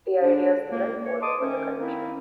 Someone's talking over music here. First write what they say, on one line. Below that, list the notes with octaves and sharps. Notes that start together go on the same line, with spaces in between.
The idea spread all over the country.
G#2 D3 D4
C#2 A#3
C#5
D#5 A5 C6 D6 D#6
D#3 A3 C#4
D#3 A#3 C4 C#4 E4